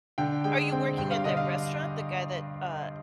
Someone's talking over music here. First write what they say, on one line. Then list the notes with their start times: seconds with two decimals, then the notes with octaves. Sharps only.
Are you working at that restaurant, the guy that, uh,
0.18 D3 G5
0.44 G#3 G5
0.72 C4 G5
0.98 G2 G5
1.11 F5
1.24 D3 D#5
1.37 F5